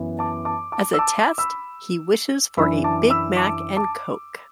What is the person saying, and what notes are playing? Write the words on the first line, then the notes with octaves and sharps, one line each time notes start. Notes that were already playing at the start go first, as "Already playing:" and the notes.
As a test, he wishes for a Big Mac and Coke.
Already playing: F#2 E3 B3
A5 D6
A5 D6
A5 D6
E6
A5 D6
B5 E6
F#2 E3 D4 B5 E6
A5 D6
B5 E6
A5 D6
A5 D6